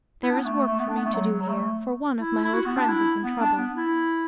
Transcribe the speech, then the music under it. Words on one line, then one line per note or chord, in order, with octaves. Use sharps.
"There is work for me to do here, for one of my old friends is in trouble."
E4
D4
B3
A3
A3
B3
D4
B3
A3
F#3
F#3
A3
E4
E4
F#4
B3
D4
E4
B3
D4
B3
E4